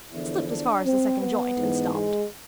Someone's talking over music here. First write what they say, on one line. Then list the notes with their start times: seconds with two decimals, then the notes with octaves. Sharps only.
It slipped as far as the second joint and stopped.
0.12 E2 D3 F3 E4
0.49 D4
0.85 C4
1.21 B3
1.57 G#2 E3
1.94 G#3